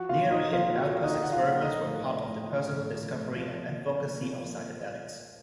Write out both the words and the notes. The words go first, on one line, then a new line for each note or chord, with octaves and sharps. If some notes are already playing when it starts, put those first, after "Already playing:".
Leary and Alpert's experiments were part of their personal discovery and advocacy of psychedelics.
Already playing: F3 F#4 F#5
A#2 F4 F5
F3 D#4 D#5
A#2 F4 F5
F3 F#4 F#5
A#2
D#4 D#5
F3
F#5
F4 F5
A#2
F3 D#4 D#5
A2
F3
A2
F3
A2
F3
A2
F3
A#2
F3
A#2
F3
A#2